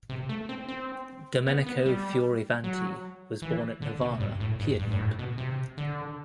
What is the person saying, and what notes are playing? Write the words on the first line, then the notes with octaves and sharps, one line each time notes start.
Domenico Fioravanti was born at Novara, Piedmont.
C3
A3
C4
C4
B3
B3
G3
F#3
E3
D3
B2
G2
A2
G2
G2
G2
A2
B2
C3
D3